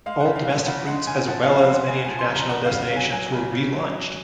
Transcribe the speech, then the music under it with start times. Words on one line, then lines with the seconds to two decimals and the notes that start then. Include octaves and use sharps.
Old domestic routes as well as many international destinations were relaunched.
0.06 G#3 F5
0.20 F#5
0.25 C#3
0.36 F5
0.47 F3 F#5
0.67 C#3 F#5
0.87 G#3 F#5
1.07 C#3 G#5
1.28 F3 F#5
1.43 F5
1.48 C#3
1.58 F5
1.68 G#3 F#5
1.88 C#3 G#5
2.05 F3 G#5
2.19 C6
2.30 C#3 A#5
2.49 C#3 F#5
2.65 C#3 F5
2.81 F5
2.91 F#3
2.96 G#5
3.04 F#5
3.10 F#3 G#5
3.32 C#3
3.52 C#3
3.72 F#3
3.92 F#3